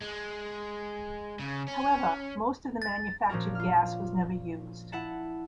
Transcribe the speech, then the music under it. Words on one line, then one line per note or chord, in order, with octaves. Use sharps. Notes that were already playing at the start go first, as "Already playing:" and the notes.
However, most of the manufactured gas was never used.
G#3
C#3
C#4
A6
A#2 F3 C#4 D4 F#4 A#4
F4 F6
E4 F#5 A5